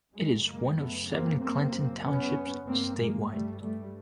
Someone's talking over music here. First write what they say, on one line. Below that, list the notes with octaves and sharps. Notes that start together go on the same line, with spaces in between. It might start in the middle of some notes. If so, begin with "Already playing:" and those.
It is one of seven Clinton Townships statewide.
F#2 C#3 F#3 G#3
G#3 A#3
A3 B3
A#3 C4
A#3 C4
B3 C#4
G2 A#3 C4
G#3 A#3
G3 A3
G3 A3